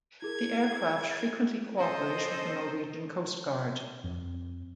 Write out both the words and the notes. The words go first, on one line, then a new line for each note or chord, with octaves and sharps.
The aircraft frequently cooperate with the Norwegian Coast Guard.
E4 G#4 A#4 G#6
C#4 A4 C5 D#5
F2